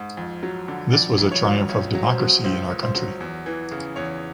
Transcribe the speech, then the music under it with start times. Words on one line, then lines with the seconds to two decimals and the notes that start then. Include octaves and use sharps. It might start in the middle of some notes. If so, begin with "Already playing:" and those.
This was a triumph of democracy in our country.
Already playing: G#2
0.17 F2
0.43 F#3
0.68 D3
0.93 F2 D5
1.18 F2
1.32 C#5
1.44 F#3
1.69 C#2 C#5
1.95 F#3
2.07 C5
2.20 B2
2.44 C#2 C5
2.70 C#2
2.83 C5
2.95 F#3
3.20 E2
3.46 E3
3.72 C#3
3.96 E2 C#5